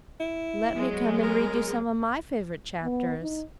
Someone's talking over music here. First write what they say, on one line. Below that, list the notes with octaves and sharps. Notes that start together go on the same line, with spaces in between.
'Let me come and read you some of my favourite chapters.'
E4
F#3 G#3 B3
A#4
B3
D#4